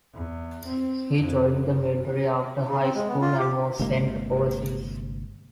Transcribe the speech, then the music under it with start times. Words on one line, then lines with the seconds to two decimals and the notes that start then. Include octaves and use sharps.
He joined the military after high school and was sent overseas.
0.14 E2
0.67 C4
1.18 F2
1.64 F#1
2.68 C#3
2.83 C4
2.95 G#3
3.08 B3
3.22 F4
3.39 G4
3.79 G1 C3 G#3 A#3